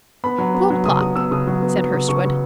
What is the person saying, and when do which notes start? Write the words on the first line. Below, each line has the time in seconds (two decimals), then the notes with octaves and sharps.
"Twelve o'clock," said Hurstwood.
0.24 B3 B5
0.38 F#3
0.54 B3
0.70 F#3
0.85 C#3 D#6
1.01 C#3 D#6
1.16 B3 E6
1.31 C#3 D#6
1.47 F#3
1.62 B3
1.77 F#3
1.94 C#3
2.08 C#3 C#6
2.24 C#3